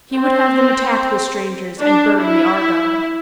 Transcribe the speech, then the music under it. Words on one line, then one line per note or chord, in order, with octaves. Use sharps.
He would have them attack the strangers and burn the Argo.
C4
D4
E4